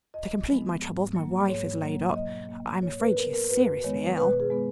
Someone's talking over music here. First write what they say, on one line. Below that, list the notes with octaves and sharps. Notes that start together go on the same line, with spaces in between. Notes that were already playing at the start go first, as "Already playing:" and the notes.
To complete my troubles, my wife is laid up; I am afraid she is seriously ill.
F2 D#5
F3 G#3 B3
G#2
F#3 A#3
G#2 C#5
F#3 A#3
B2 D#5
A#3
G#2 C#5
B4
F#3 B3 A#4
A#4
F#2 B4
D#3 G#3 B3 C#5
B2 B4
G#4
G#3 B3